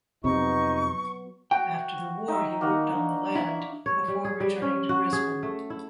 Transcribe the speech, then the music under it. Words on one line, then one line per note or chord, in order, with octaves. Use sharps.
After the war he worked on the land before returning to Brisbane.
F2 C3 F#3 B3 D#4 F#4 C#6
F#4 G5
D#4 E5
D#3 A#3 F#4 D#5
D4
E4
C#5
G3
G#4
G3
C#4
F#4
G#4
A3
E4